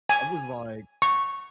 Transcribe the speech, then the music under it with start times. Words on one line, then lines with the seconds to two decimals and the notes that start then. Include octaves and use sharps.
I was like
0.09 G#5
1.02 C#6